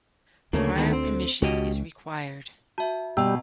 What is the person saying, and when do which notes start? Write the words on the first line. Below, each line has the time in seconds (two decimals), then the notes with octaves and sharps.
Prior permission is required.
0.53 D2 C#3 A3 A#3
0.75 D3 D#3 B3
0.93 C4
1.42 C#2 F#4 G4 D#5
2.78 F#4 E5 A5
3.17 B2 G3 D#5 G5 A#5 E6